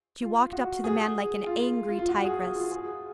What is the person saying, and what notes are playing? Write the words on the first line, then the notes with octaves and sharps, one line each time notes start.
She walked up to the man like an angry tigress.
F4
F#4
G#4
F4
F4
F4
F#4
G#4
G#4
F4
G#4